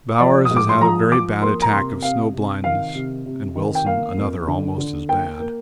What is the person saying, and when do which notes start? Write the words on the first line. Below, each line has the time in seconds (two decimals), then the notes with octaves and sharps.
Bowers has had a very bad attack of snow blindness, and Wilson another almost as bad.
0.20 F3 D5
0.45 D#6
0.51 G#2
0.56 D6
0.69 C6
0.81 F3 A#5
1.11 F3 D6
1.41 A#3 C6
1.62 A#5
1.73 C3 C6
2.02 C3 F5
2.34 C3
2.64 D#3 F5
2.95 C3
3.26 C3
3.55 D#3
3.75 G5
3.86 A#3 F5
4.17 F2
4.48 D3
4.78 D3
5.08 A#3 G5
5.39 A#3